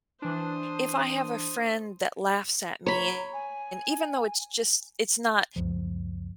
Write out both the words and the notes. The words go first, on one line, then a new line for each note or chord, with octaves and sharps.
if I have a friend that laughs at me, and even though it's just, it's not
E3 D4 C5 D#6
C#5 A#5 B5
G#5
C#2 F#2 F3